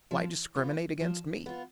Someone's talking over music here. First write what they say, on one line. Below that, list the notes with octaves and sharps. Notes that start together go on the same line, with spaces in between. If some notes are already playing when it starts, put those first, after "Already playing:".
Why discriminate against me?
F3
B3 F4
F3
B3 F4